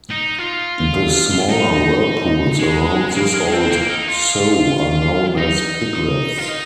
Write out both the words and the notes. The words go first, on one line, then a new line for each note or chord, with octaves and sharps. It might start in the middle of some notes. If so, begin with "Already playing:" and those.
The smaller whirlpools around this Old Sow are known as Piglets.
D#4
F4
D#4
G#3
A#3
G#3
C4
A#3
D#4
F4
D#4
F4
D#4